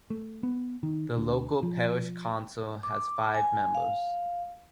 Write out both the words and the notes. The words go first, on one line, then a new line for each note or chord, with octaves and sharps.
The local Parish Council has five members.
A3
B3
D#3
D2
F3
D6
G#5
F5